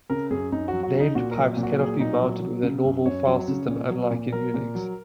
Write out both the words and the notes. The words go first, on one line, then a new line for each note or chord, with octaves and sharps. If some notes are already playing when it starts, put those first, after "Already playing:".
Named pipes cannot be mounted within a normal filesystem, unlike in Unix.
C#3 A#4
F#2 G#4
F#2 D#4
F#3 F#4
F#4
C#3
D#4
A#2 F#4
F#3 A#4
A#2
F#4
F#3 G#4
A#2 D#4
F#3
F#3
C#3
F#2
F#2 C#5
F#3
C#3
A#2
F#3
A#2
F#3 A#4
A#2
F#3